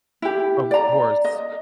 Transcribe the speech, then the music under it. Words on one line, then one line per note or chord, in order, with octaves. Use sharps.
Of course.
E4 G4
D5 A#5
D#5